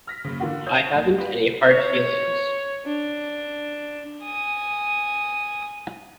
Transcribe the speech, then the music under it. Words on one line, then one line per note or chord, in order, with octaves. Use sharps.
I haven't any hard feelings.
F6 A#6 B6
F#1 C#3
D3 E3 A#3 F4 F#4
C#5 F5 D#6 G6
A#1
F4 G4 B4
C#5
D4
G#5 D#6